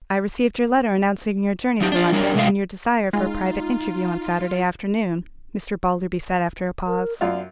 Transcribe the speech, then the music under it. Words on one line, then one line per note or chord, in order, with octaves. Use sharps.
"I received your letter announcing your journey to London, and your desire for a private interview, on Saturday afternoon," Mr. Balderby said, after a pause.
F#3 D#4 G4
D4 F4
G3 D4 A#4 C#5
C3 G#3 A3 D5 F5
G#3 D#4 F4
A#4
F#2 F4 D5 F5